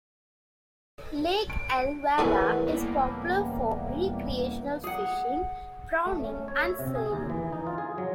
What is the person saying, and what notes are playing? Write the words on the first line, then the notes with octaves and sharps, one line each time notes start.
Lake Illawarra is popular for recreational fishing, prawning and sailing.
D7
E3 A3 B3 E4 G#4 A#4 B4 C#5
C#2 A2 E3 G3 A#3 B3
G#4 F#5
A3
C#4
C#5
E5
C3
G#4
D#2
E3
D#4
F4
G#4
F#3